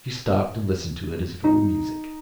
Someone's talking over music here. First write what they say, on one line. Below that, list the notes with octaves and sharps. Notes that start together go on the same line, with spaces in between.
She stopped, and listened to it as if it were music.
D#4